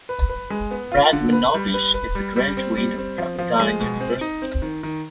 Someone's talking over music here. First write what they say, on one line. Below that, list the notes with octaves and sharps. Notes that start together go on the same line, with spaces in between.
Radmanovich is a graduate of Pepperdine University.
B4
B4
G#3
B3
F4
D3
B4
G3
B4
B4
G3
G3
C4
G3
C4
F3
F3
G#3
B2
C4
D#4
C4
D#3
D#3